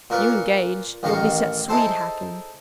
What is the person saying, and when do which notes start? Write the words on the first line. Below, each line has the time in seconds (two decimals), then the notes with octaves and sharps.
If you engage, you'll be set swede-hacking.
0.10 A#2 A#4 B4 C#6
1.03 A1 D#3 F5 A#5 C#6 D#6
1.69 D#4 E4 G#4 A4 C5